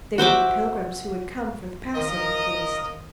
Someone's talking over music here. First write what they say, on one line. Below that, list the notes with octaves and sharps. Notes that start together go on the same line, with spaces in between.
They were the pilgrims who had come for the Passover feast.
F#4 C5 E5 D6
D#3 F3 A#4 D#5